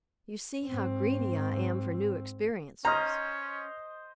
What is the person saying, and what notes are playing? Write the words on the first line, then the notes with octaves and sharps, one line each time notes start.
You see how greedy I am for new experiences!
G#2 C4
C#4 C5 D#5 A#5 F6